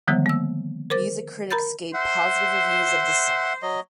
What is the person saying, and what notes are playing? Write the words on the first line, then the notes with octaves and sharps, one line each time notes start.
Music critics gave positive reviews of the song.
D3 D#3 F3 G3 G#3 B3
A#3 E6
A#4 C5 D6 A6
A#4 A#5 B5 G6 A6
C5 E5 F#5
F#3 D#5